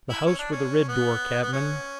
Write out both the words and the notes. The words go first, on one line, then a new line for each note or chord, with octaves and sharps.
'The house with the red door, cabmin.
E4
C#4
D4
C#4
B3
B3
C#4